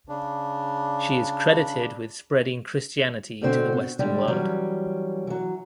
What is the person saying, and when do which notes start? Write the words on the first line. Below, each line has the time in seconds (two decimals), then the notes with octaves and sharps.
She is credited with spreading Christianity to the western world.
0.08 C#3 D4
3.41 B2 D3 C4 F#4
3.72 F#4
3.99 D3 G3 G#3 D4 G4
4.28 E3 F#3 G3 C#4
5.27 E3 F#3